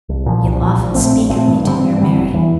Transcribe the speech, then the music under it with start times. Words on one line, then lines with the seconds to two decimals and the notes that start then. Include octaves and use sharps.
You'll often speak of me to her, Mary?
0.09 C2
0.26 A#2 F3
0.44 C2
0.61 A#2 F3
0.78 A#1
0.95 A#2 A3 C4
1.12 A#1
1.30 A#2 A3 C4
1.47 G2
1.64 D3 G3 C4
1.82 G2
1.99 D3 G3 C4
2.17 E1
2.34 E2 E3